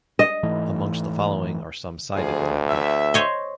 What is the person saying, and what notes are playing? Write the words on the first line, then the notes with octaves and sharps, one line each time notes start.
Amongst the following are some cited in that book.
D#5
G#2 E3 A3
D2 F3 G#4
E5
C5 C#5 D#5